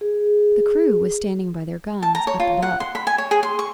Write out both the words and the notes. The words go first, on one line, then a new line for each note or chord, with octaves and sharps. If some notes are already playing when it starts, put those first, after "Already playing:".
The crew was standing by their guns up above.
G#4
A5
A#5
C#5
F4
F#5
C6
B5
G#5
C#5
G#4
C6
C#6